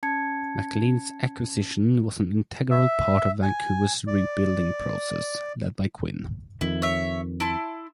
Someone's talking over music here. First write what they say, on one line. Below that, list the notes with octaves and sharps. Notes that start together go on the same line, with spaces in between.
McLean's acquisition was an integral part of Vancouver's rebuilding process, led by Quinn.
C#4 A5 G#6 C#7
E5
G#5
D5
F2 D#3 E4
C#5 E5
E4 A5 C6